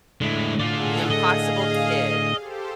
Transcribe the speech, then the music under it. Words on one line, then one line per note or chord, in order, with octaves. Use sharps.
The Impossible Kid.
A2 D3 G#3 E4
F4 G#4 A4 D5 F#5
G#4 D#5 F5
G4 A4 C5